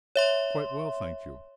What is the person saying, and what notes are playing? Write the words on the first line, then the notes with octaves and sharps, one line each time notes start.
"Quite well, thank you."
C#5 E5 C6